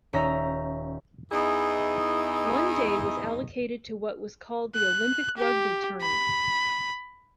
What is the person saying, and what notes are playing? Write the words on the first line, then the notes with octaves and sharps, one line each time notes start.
One day was allocated to what was called the Olympic rugby tournament.
D#1 C#4 D#4 E5 A#5 A#6
E2 E3 D#4 E4 G#4 D#5
F#6
G4
B5